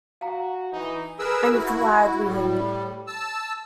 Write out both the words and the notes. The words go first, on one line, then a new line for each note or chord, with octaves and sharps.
I'm glad we didn't.
F#4 F5 G5 A#5
E3 D#4
G#4 A#4 B4 E6
E4 F#4
A2 G3
A5 E6